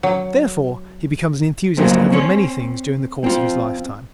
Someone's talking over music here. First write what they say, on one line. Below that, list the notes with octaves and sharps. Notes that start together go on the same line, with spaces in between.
Therefore he becomes an enthusiast over many things during the course of his lifetime.
F#3
G#2 C#3 F3 F#3 A#3 C4
C4 C#4 C#5
C4 F4